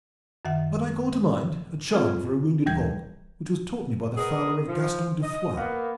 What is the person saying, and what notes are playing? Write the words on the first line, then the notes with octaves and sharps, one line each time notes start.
But I call to mind a charm for a wounded hawk which was taught me by the fowler of Gaston de Foix.
F#2 D#3 E5 F#5
C4 F4 G#4
D#2 E3 G3 G6 G#6
B3 G#4 A#4 D#5
F3
D#5
A#3 B3